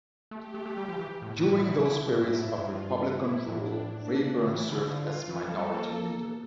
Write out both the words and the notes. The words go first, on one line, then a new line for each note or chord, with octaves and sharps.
During those periods of Republican rule, Rayburn served as Minority Leader.
A3 G4
A3
A3
G3
F3
E3
A2 E4
A2
A2
A#2
C3
D3
C3
A2 E4
G2
A2
G2 F4
E4
A2 D4
D4
D3 E4
E3
D3
D3 F4
E3 A4
F3
G3
A#3